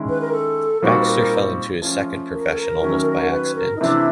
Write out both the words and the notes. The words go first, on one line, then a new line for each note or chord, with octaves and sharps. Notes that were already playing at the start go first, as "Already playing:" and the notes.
Baxter fell into his second profession almost by accident.
Already playing: D#3 G#3 C#4 E4
B4
A#4
A4
A#2 G3 C4 D#4 F#4 A#4
B4
A#4
F3 A3 C#4 F4
A#4
A4
A#4
D#3 F#3 A3 C#4
B4
A#4
D#4
C3 E3 A3 D4 E4